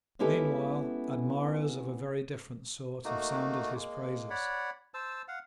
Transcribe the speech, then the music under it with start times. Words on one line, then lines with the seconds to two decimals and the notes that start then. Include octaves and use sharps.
Meanwhile admirers of a very different sort have sounded his praises.
0.19 G#3 B3 C#4 E4 G4 A4
3.05 A3 A#3 D#4 F#4
3.75 G#3 A#3
4.30 C#5 D5 F#5 B5
4.94 C5 A5 E6
5.28 F5 F#5